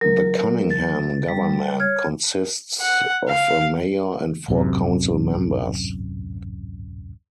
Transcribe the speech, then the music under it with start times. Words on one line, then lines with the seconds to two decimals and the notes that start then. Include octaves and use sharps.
The Cunningham government consists of a mayor and four council members.
0.01 F#3 A#4
0.71 A6
1.28 G3
1.80 C#5 F6 G#6
2.81 F#5
3.29 F5
4.48 D1 G#1 F#2 C3